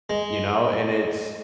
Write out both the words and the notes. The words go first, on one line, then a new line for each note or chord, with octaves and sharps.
you know? And it's
G#3